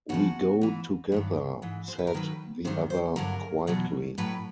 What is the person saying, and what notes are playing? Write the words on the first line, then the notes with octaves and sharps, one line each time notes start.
"We go together," said the other quietly.
E2 C#3 F3 F#4
G#2 E3
G2 D#3 F#3
G#2 E3
C5
B4
A#4
G#2 D#3 F#3 B4
G2 D#3 F#3 C5
C5
G2 D3 F#3 A#4
E2 B2 F#3
A2 F#3 B4